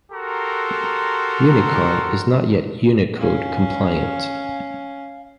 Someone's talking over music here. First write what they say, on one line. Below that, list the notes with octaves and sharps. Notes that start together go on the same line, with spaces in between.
Unicon is not yet Unicode-compliant.
F#4 G4 A4 A#4 A#5 C6
C#4 F5